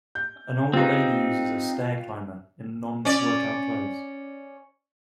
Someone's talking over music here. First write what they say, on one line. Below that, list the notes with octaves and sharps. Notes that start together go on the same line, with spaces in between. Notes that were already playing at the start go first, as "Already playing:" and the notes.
An older lady uses a Stair Climber in nonwork out clothes.
G6
C4 D#4 F4 G4 B4
C#4 D5